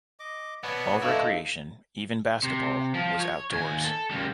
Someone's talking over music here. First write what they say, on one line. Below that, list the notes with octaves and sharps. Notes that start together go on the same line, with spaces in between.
All recreation, even basketball, was outdoors.
D#5 D6
B2 B3 B4 C#5 D5
D2 D#4 E4 A4 F5
C3
F3
C#5
D#2 G#5
A4
C#3 G3